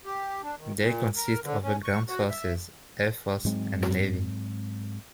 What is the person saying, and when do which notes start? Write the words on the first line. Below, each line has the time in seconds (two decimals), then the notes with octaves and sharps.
They consist of the ground forces, air force, and navy.
0.05 G4
0.42 D4
0.58 D#3
0.79 A#2
1.16 A#4
1.43 D3
1.63 C#4
1.84 C#6
2.09 F#4
2.30 E5
3.45 G#2 F#3 G#3 C4